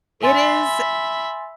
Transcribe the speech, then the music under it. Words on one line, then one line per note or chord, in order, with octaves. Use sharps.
It is
E5 G#5 B5 C6 A6